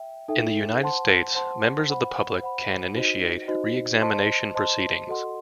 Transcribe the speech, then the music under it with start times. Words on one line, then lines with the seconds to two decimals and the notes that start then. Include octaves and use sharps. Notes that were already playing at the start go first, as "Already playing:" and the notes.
In the United States, members of the public can initiate reexamination proceedings.
Already playing: E5 G5
0.28 D#4 A4 E5 G5
0.82 C5 F#5 A5 C6
1.35 C5 F#5 A5 C6
1.89 C5 F#5 B5
2.41 C5 F#5 B5
2.95 D#4 F#4 C5 D#5
3.48 D#4 F#4 C5 D#5
4.01 C5 D#5 A5 C6
4.54 C5 D#5 A5 C6
5.08 F#4 A4 D#5 F#5 C6